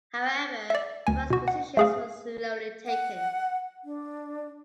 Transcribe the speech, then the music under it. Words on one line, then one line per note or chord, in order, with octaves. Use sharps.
However, the various positions were slowly taken.
D5 E5
D2 G#5
B2 F#4
F#5
A3 G#4 F5
F#5
D4